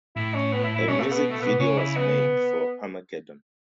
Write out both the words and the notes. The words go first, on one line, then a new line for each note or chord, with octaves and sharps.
A music video was made for "Armageddon".
A2 E4
C#4
B3
E4
E4
B2 C#4
A3
B3
A3
B3
C#3 C#4
E4
B3